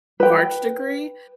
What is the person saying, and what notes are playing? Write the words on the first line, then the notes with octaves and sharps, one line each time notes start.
large degree,
B4 G5